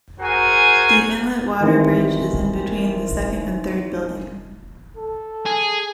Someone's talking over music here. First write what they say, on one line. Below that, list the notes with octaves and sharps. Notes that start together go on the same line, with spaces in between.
The inlet water bridge is in between the second and third building.
F#4 G#4 A#4 C5 G#5
D#3 E3 G#3 C4
A4
G#4